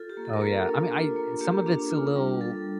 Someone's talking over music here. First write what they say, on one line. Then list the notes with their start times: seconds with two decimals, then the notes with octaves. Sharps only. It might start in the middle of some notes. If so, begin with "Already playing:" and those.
Oh, yeah. I mean, I some of it's a little
Already playing: F4 A4
0.10 G4
0.17 A#3
0.25 A4
0.33 A#4
0.41 A#3 A4
0.67 D4
0.92 F4
1.16 A#3
1.41 A#3 G4
1.66 D4
1.91 F4
2.16 G3
2.41 G3 A4